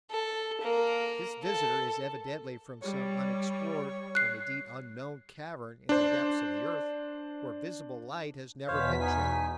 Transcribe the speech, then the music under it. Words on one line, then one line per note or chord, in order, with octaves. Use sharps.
This visitor is evidently from some unexplored and, indeed, unknown cavern in the depths of the earth where visible light has never penetrated.
A4
A#3 A#4
A4
G3 C#5
F#6 C7
D4 C5
E2 B2 C5 C#5 F5 B6
D#4 G#5